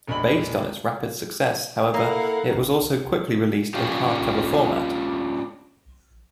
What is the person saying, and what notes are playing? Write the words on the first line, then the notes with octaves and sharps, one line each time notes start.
Based on its rapid success, however, it was also quickly released in hard-cover format.
E1 A#1 D#5 B5 F#7
A#3 E4 A4 A#4 F5 F#5
C#4 D4 F4 G4